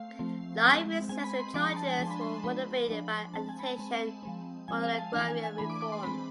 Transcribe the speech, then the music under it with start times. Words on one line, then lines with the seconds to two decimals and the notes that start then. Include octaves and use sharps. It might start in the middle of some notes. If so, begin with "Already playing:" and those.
Livy says the charges were motivated by agitation for agrarian reform.
Already playing: A3 C4 F5
0.19 F3 A3 C4
0.64 G#3 C4
1.09 G#3 C4 G#5
1.24 B5
1.39 C6
1.54 F3 G#3 D4 D6
1.65 C6
1.76 A5
1.87 G#5
1.99 F3 G#3 D4 A5
2.11 B5
2.21 C6
2.44 F3 G#3 D4 B5
2.88 F3 G#3 D4
3.34 G#3 C4 A5
3.49 G#5
3.59 B5
3.64 A5
3.78 G#3 C4
4.23 F3 G#3 C4
4.68 F3 G#3 C4 G#5
4.83 F5
4.99 A5
5.13 E3 A3 D4 F5
5.28 G#5
5.43 G#5
5.58 E3 A3 D4 B5
5.70 D6
5.81 D6
5.92 C6
6.03 G#3 C4 B5